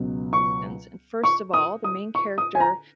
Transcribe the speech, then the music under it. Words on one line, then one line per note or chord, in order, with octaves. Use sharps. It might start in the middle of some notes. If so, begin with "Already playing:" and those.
And first of all, the main character,
Already playing: C#2 B2 F#3 B3
C#6
C#6
D#6
D#6
C#6
D#6
G#5
A#5